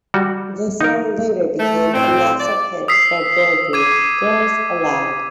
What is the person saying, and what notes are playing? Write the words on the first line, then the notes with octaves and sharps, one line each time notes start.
The song later became a massive hit for girl group Girls Aloud.
G3 F#4
D#4 A#4
A3
A2 C4
D5
D#6 E6 B6 C7
D6 G#6 D#7